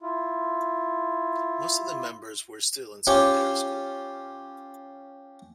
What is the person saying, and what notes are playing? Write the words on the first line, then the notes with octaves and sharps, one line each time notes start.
Most of the members were still in secondary school.
E4 F4
C#4 F4 G4 C#5